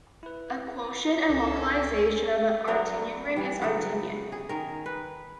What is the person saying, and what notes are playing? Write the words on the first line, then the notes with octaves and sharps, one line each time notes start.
A quotient and localization of an Artinian ring is Artinian.
E4 B4
C#2 C#4 A4
F#3 B3 D4 A#4
E3 G3
C#3 F#3 B3 F#4
G#4
D#3 A#4
B4